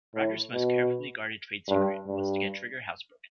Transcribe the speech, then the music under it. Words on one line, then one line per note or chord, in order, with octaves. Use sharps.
Roger's most carefully guarded trade secret was to get Trigger housebroken.
A2
B2
G2
G2